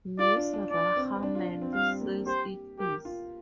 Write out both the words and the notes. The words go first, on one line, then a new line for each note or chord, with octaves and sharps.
Mrs. Rahman says it is.
F4 D5
D4
D4
D4 D5
C4
C4
D4
F4
D4
C4
G3 F5
A#3
G4 C5
G4 A#4
F4